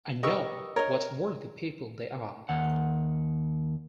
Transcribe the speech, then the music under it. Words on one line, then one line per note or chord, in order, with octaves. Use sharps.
I know what worthy people they are.
G4 A#4 B4 D#5 C#6 E6
A#4 C#5 D#5
D#2 F#5